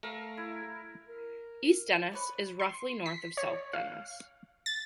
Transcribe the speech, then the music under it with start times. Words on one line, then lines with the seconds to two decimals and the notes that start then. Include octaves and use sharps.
East Dennis is roughly north of South Dennis.
0.03 A3 A#4 F5
0.37 E4
1.08 A#4
2.11 B4 C#5 D5
2.60 C6
3.06 B6
3.37 C#5
3.73 F5
4.66 A6